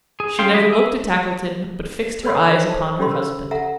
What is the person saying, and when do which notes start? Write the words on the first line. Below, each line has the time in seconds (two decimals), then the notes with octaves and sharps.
She never looked at Tackleton, but fixed her eyes upon her husband.
0.20 G#4
0.39 C#4 F5 G5 C6
0.53 E3 D#5 B5 D6
0.72 G#4 E5
2.23 A4 B4 C#5 B5 C6
2.50 E4 B4 C5 D#5
2.69 C5 A5
2.99 C#4 G4 A4 B5 C6 D#6
3.11 A#4
3.51 A4 E5 F#5 A#5